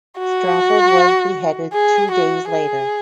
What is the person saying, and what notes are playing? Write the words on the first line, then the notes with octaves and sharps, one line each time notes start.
Strafford was beheaded two days later.
F#4
G#4
F#4
G#4